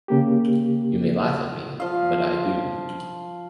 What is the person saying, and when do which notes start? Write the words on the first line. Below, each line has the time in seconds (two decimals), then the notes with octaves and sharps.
You may laugh at me, but I do.
0.08 C#3 A#3 G4
1.80 F3 F5